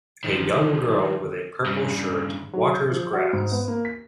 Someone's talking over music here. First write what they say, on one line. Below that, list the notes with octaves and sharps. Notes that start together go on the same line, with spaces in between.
A young girl with a purple shirt, waters grass.
D#3 F3
G2 C#3
F#3
G6
F3
F#4
G#2
B3
A#3
B6